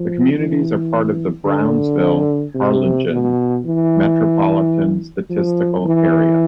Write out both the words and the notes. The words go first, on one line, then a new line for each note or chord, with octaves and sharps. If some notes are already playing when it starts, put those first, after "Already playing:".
The communities are part of the Brownsville-Harlingen Metropolitan Statistical Area.
Already playing: F3
E3
D3
C3
B2
E3
F3
E3